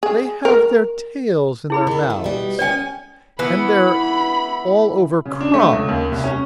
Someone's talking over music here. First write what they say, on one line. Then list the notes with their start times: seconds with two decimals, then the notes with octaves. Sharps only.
'They have their tails in their mouths--and they're all over crumbs.'
0.03 G#4
0.45 A#4
1.70 E4 G#4 B5
1.87 D#3 A4
2.10 A3
2.24 B2 G3
2.59 B3 C#4 D5 G5 G#5
3.39 E3 B3 B5
5.26 C#3
5.41 D4
5.54 A3
5.73 C#2
5.88 D#2
6.12 C2
6.24 C#4